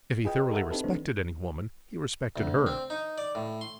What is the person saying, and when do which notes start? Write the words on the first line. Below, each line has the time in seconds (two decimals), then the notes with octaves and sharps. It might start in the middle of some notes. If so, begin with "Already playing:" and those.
If he thoroughly respected any woman he respected her.
0.25 F4 G#4 B4 D#5 G5
0.50 G4 A4 A#4 E5 F#5
0.71 C4 D#4 G4 A4 B4
0.84 D#3 E3 A3 C4 D4
2.36 D2
2.66 C4
2.90 D#4
3.18 D5
3.35 A2
3.61 C6